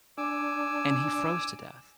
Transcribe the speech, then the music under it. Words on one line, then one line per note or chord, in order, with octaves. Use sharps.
and he froze to death.
D4 G#5 D6 E6